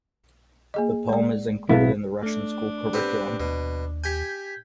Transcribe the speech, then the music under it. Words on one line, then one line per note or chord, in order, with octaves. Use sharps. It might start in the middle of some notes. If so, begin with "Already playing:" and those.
The poem is included in the Russian school curriculum.
A#3 G#4 D#5
G#3 D5
B1 B3 C4 E4 G#4 F5
A3 D4
B3 C4 G4
D#2 B2
G4 G#5 G6 G#6 B6